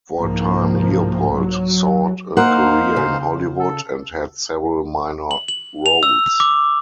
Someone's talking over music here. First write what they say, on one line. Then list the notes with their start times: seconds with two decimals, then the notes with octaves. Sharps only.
For a time Leopold sought a career in Hollywood and had several minor roles.
0.18 C2 G#2 F3 A#3
1.35 F#3
2.37 A#3 D#4 A#4 C5 F5 F#5
2.96 C#3
3.60 A4
5.31 F#7
5.48 F#7
5.86 F7
6.03 E6
6.40 D6